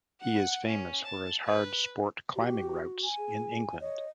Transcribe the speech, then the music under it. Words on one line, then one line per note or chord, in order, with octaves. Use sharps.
He is famous for his hard sport climbing routes in England.
F#5
C#4
A5
B4
F#4 G4
G#5
G#4
C#5 D#5